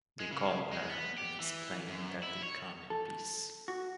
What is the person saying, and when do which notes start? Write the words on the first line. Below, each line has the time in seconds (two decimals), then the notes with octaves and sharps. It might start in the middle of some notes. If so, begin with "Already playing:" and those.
They calm her and explain that they come in peace.
0.20 G#3
0.32 C#3
0.72 G#3
0.90 B3
1.18 G4
1.40 E3
1.88 F#2
2.23 E4
2.43 C#5
2.90 A4
3.68 F#4